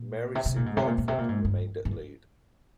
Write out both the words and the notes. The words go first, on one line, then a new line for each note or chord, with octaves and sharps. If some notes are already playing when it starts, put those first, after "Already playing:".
Mary Sue Radford remained at lead.
Already playing: A#2
C3
C3
A#2
G#2
C3
A#2
A#2
C3
A#2
G#2
G2
G2